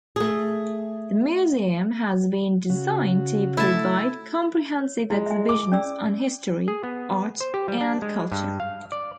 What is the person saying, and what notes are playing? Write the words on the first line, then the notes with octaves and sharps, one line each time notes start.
The Museum has been designed to provide comprehensive exhibitions on history, art and culture.
A3 G#4
C#3 F#4
A3 E4 A5
C#5
G#3 E4 F4
E5 G#5
D6
C#4 D5 E6
G#4
B3
C5
G4
G3
D4
G#3
G2
F5
D5